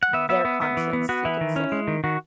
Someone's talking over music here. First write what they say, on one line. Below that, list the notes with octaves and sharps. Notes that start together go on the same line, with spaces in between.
their conscience, you could say.
F#5
B3 E5
B3 E5
B3
B3
E3
B3
B3 F#4
E3 E4
D#3
C#4
G#3
D#3
D#3 F#4